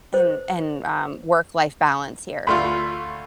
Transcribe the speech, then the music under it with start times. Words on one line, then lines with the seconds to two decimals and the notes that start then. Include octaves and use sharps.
and and, um, work life balance here?"
0.14 C5
2.47 D2 A3 F4 B5 C6